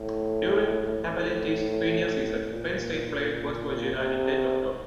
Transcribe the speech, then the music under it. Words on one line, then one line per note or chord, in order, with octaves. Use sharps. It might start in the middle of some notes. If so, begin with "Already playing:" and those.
During Cappelletti's senior season, Penn State played West Virginia in late October.
Already playing: A2
A2
A#2
C3